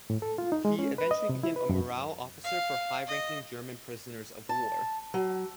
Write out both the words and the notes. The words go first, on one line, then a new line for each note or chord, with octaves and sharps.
He eventually became a morale officer for high-ranking German prisoners of war.
A2
A4
F4
D#4
G#3
C#4
B4
D#5
C3
E4
B4
F#2
F5
D#5
A5
F#3